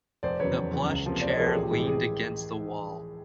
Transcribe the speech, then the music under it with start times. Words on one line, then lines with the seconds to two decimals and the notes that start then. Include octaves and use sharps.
The plush chair leaned against the wall.
0.23 F1 C5 D5
0.40 E2 C#3 F#3 B4 C#5
0.56 F1
0.73 E2 C#3 F#3
0.89 C#2
1.06 C3 F3 A#3
1.21 C#2 C5 D5
1.29 C#5 D#5
1.37 C3 F3 A#3 G#4 A#4
1.46 G4 A4
1.54 A1 G#4
1.63 G4
1.70 A2 E3 G#3 G#4
1.80 G4
1.87 G#4